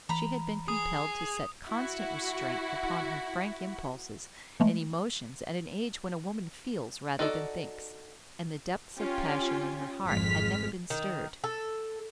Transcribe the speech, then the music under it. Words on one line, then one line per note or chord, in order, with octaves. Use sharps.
She had been compelled to set constant restraint upon her frank impulses and emotions at an age when a woman feels rather than thinks, and the depths of passion in her heart had never been stirred.
E3 A#5 B5
G#4 D#6
E4 F#4
E3 G#3 A3
D#4 F#4 A4 C5 D5
C#4 F4 G4 G#5
G#1 F2 G#3 F6 B6
D#3
A4